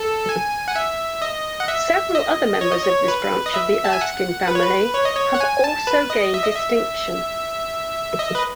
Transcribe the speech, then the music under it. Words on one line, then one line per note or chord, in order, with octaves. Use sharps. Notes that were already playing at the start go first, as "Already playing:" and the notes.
Several other members of this branch of the Erskine family have also gained distinction.
Already playing: A4
G#5
F#5
E5
D#5
F#5
E5
D#5
C#5
D#5
C#5
B4
D#5
E5
A5
G#5
F#5
B4
C#5
B4
C#5
D#5
C#5
F#5
G#5
A5
B4
D#5
E5
D#5
E5
D#5
B4